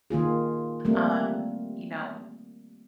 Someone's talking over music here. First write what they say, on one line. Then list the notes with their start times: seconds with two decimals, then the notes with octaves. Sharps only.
um, you know,
0.10 D#3 A#3 F4 G#4
0.85 G3 A3 A#3 C4